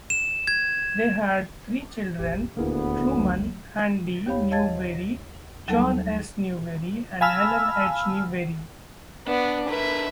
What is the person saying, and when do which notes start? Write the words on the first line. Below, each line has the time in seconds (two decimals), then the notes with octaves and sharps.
They had three children, Truman Handy Newberry, John S. Newberry and Helen H. Newberry.
0.10 E7
0.47 G#6
2.19 F1 A#1 G4
2.57 D#1 D2 A#3 B3 E4 G#4 A#4
3.17 F#1 C#2 F#3 A3
4.26 D#2 G4 C#5 F5 B5
4.51 C#5 D#5 F5 A5 G#6 A6
5.68 D#2 F#3 G3 A4 A5
7.21 F5 G#5 A5 B5 E6 F6
9.27 B3 D4
9.69 D3 A#4 B4 E5